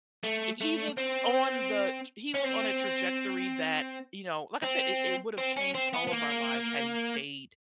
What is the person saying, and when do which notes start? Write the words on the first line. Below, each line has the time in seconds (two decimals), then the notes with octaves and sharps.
He was on the he was on a trajectory that, you know, like I said, it it would have changed all of our lives had he stayed
0.24 A3
0.61 A3
0.97 C4
2.34 C#4
2.44 C4
4.64 C4
5.38 C4
5.57 C#4
5.74 C4
5.93 B3
6.07 B3
6.12 A#3